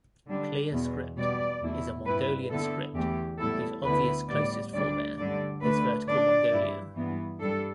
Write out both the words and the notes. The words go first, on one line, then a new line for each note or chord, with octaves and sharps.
Clear Script is a Mongolian script, whose obvious closest forebear is vertical Mongolian.
D3 G3 D4
E2 B2 B3
B2 G3 B3 D5
E2 B2 A3 E4
G2 G3 E4 B4
D3 B3 E4 A4
E2 E3 A3 G4
A2 G3 B3 E4 A4
D2 D3 B3 E4 B4
A2 G3 B3 D5
D2 D3 G3 D4 D5
G2 D3 G3 D4 D5
D2 D3 A3 D4 B4
D3 B3 D4 D5
G2 G3 E4
G2 E3 B3
G2 G3 D4 A4